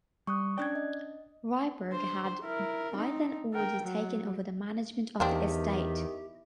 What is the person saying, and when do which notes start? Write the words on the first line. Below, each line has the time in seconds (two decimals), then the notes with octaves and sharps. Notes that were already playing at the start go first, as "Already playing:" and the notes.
Ryberg had by then already taken over the management of the estate.
0.27 G3 C#6 D#6 F#6
0.58 C#4 D4 D5 G5 F#6 G#6
0.75 D#5
1.88 D4 C5
2.41 E4 A#4
2.94 C4 D#4
3.53 A#4 G5
3.83 F#3
5.20 E2 D#3 A#3 C4 D4 G4